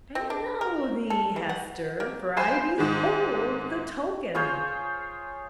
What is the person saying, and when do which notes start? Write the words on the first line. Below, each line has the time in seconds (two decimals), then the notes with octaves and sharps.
I know thee, Hester, for I behold the token.
0.15 C4
0.30 D4
0.61 A#4
1.10 A4
1.36 E3
1.49 F#5
2.00 A#3
2.36 C5 F5 G#5 B5
2.78 G#2 D#3 G#3
4.35 F4 G#4 C5 C#5